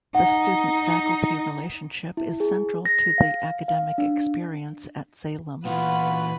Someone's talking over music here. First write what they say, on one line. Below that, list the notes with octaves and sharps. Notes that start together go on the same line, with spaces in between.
The student-faculty relationship is central to the academic experience at Salem.
D#4 F#5
E4
G#4
A#6
F5
F5
D4
A#2 E3 B3 F4 F#4 B4